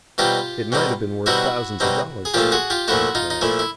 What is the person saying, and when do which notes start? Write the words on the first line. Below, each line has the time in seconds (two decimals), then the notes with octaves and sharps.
"It might have been worth thousands of dollars to you!" he declared.
0.18 B2 G3 C4 D#4 F4 G4
0.72 B2 G3 C4 D#4
1.26 B2 G3 C4 D#4 E4 F#4
1.80 B2 G3 C4 D#4
2.25 G#4
2.34 A#2 F3 A3 F4 G4
2.52 F#4 G#4
2.70 F4 G4
2.88 A#2 F3 A3 E4 F#4
3.15 D#4 F4
3.30 D#4
3.41 A#2 F3 A3 E4
3.59 E4